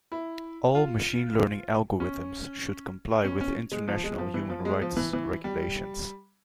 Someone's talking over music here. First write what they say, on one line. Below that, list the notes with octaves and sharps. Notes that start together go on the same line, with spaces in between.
All machine learning algorithms should comply with international human rights regulations.
E4
F4
C#4
C#4
C#4
G#3
F3
G#3
F3
E3
F3
G#3
F3
E3
E3
G3